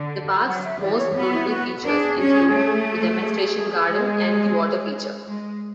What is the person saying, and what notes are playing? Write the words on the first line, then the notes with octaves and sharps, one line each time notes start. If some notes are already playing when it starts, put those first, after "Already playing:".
The park's most notable features include the demonstration garden and the water feature.
Already playing: D3
F#3 F#5
E5
E3 D5
C#5
B3
E4
F#4
D4 G#4 A#4
C#4
A3
G#4
G#3
G#3